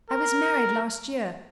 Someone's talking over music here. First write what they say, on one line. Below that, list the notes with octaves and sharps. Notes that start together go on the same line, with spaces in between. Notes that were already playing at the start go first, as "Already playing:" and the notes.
I was married last year.
A#4